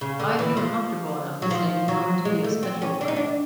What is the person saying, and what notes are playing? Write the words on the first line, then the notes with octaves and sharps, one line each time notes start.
I feel comfortable enough to say he's going to be a special player.
C#3
D3
E3
F3
F#3
F3
F#3
G#3
A3
C4
C#4
D4
D#4
D4